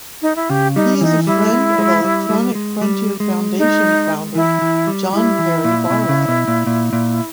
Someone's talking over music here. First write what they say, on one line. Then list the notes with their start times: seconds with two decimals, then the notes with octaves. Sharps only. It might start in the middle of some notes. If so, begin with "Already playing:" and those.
He is a friend of Electronic Frontier Foundation founder John Perry Barlow.
0.22 D#4
0.36 E4
0.50 C#3 G4
0.76 G3 D#4
1.01 E3 D#4
1.27 G3 E4
1.53 G#3
1.78 G#3
2.04 G3
2.30 G3
2.55 G#3
2.81 G3
3.20 G#3
3.58 D#4
4.35 E3 E4
4.62 E3
4.87 G3
5.13 G3 E4
5.39 E3
5.64 A#2
5.90 B2
6.09 C#3
6.28 B2
6.48 A#2
6.67 A#2
6.93 A#2